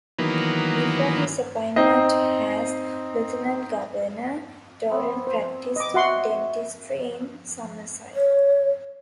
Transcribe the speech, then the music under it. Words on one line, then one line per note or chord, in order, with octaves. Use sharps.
Before his appointment as Lieutenant-Governor, Doiron practiced dentistry in Summerside.
D#3 E3 F#3 A#3 B3
C4 D#4 C5 D#5
B3 C4
C5
D#5 D6
F#4 E5 F#5 C6
C#5